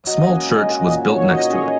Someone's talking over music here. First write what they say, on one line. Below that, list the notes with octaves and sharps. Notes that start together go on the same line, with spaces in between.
A small church was built next to it.
F#3 D#5
A#3 C#4 F#4
G#3
F#4 A#4
A#2 D#5
F#3 D#4 C#5
F#3 D#5
C#4 G#4 C#5